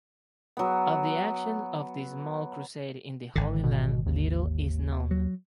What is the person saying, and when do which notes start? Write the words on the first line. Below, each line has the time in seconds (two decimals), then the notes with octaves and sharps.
Of the actions of this small crusade in the Holy Land little is known.
0.57 F#3 B3
3.36 G#1 D3
3.64 B2
4.06 D#2
5.11 F#3